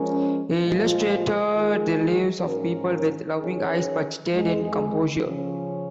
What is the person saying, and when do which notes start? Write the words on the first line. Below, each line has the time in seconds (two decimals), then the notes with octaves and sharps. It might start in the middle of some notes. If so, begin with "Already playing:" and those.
He illustrated the lives of people with loving eyes, but stayed in composure.
Already playing: F3 G#3 C#4 A#4
0.61 A#2 F3 G#3 F4
1.54 D#3 G#3 F4 G#4
2.46 G#2 D#3 C#4 A#4
3.39 D#3 C#4 G#4 C#5
4.31 F2 D#3 G#3
5.23 C#3 F3 C#4